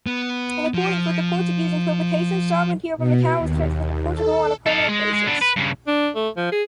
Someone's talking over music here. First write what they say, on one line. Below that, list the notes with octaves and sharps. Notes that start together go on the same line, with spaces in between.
In accordance with the Portuguese interpretation, sovereignty over Macau was transferred to Portugal on a permanent basis.
B3
F3
B2
D#2
A4
A4 F5
G#3
G#3
B3 D4
B4
G2 C#3
D4
A3
F3
G#4